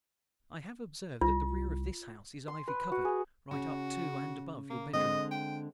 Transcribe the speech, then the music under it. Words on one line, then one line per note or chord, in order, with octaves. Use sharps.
I have observed that the rear of this house is ivy-covered right up to and above your bedroom.
C2 F4
C6
B4
F#4
G#4
C#3 F#4
A#3
D3 G#3 C4 D#5
G5